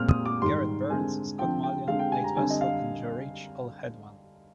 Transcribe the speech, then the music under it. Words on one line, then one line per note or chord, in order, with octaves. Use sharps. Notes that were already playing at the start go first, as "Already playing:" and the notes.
Garrett Byrnes, Scott Malyon, Nate Wessel and Joe Rich all had one.
Already playing: A#2 G#3 C4 F6
D#6
D6
G#2 D#3 G3 C6
D3 G#3 C4 G#5
D3 F3 C4 G5
G5
D3 G#3 C4 F5
G5
G#5
A#5
D3 G3 C4 G#5
D#5
F5